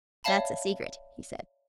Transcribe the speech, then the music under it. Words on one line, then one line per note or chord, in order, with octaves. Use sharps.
"That's a secret!" he said.
C#5 D5 E5 F5 A5 B5